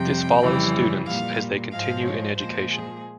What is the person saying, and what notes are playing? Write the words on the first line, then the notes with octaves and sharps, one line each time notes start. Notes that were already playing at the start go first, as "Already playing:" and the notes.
This follows students as they continue in education.
Already playing: F2 C3 G3 G5
F2 C#3 E3 G3
A#2 G3 F5
G#2 F3 G#3 F5
C#5
A#2 F3 G#3 C5
G#4